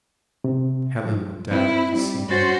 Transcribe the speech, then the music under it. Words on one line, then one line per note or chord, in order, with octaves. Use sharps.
Helen looked out at the sea.
C3
F3
C4 E4
G3
G2 C#4 F#4 C5 A6